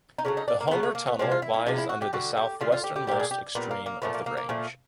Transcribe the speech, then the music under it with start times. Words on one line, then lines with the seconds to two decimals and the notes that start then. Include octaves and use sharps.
The Homer Tunnel lies under the southwesternmost extreme of the range.
0.18 D#4
0.25 C#3 F#3 A3 D4
0.37 D#4
0.48 D4
0.61 A#3
0.67 C4
0.71 C#3 F#3 A3 B3
0.83 A3
0.95 A#3
1.07 B3
1.19 C3 F3 G#3 C4
1.31 F4
1.42 E4
1.54 E4
1.66 C3 F3 G#3 D#4
1.78 E4
1.89 F#4
2.02 G4
2.13 D3 G3 F#4
2.37 G4
2.61 D3 G3 F4
2.72 F4
2.84 G4
2.96 G4
3.07 A#2 G3 G4
3.20 G#4
3.31 G4
3.55 A#2 G3 B3
3.71 A#3
3.86 A#3
4.02 A#2 F3 A3 B3
4.14 A#3
4.26 A#3
4.37 A#3
4.49 A#2 F3 A3